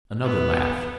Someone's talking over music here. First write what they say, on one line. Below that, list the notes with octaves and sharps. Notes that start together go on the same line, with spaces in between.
Another laugh.
B3